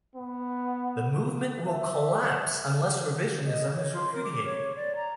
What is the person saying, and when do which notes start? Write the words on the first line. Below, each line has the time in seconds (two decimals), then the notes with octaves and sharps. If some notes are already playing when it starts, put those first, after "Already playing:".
The movement will collapse unless Revisionism is repudiated.
0.15 B3
1.68 E5
3.46 D#5
3.76 C#5
3.94 C6
4.12 A#4
4.24 D6
4.45 C#5
4.76 D5
4.96 A#5